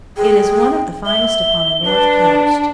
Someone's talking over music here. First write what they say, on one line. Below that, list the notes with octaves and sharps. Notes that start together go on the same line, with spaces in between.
It is one of the finest upon the north coast.
G#4 G5
E5 G7
D4 B4